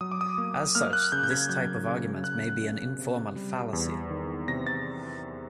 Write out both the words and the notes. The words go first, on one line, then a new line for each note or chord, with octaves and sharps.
As such, this type of argument may be an informal fallacy.
F#3 D#6
D6
D#6
A#3
A#3 F6
F#6
C#3 G6
G6
G#6
F#3 G6
C#3
C#3 F#6
C#3
C3
G3
E2
D#3
C3 A#6
A6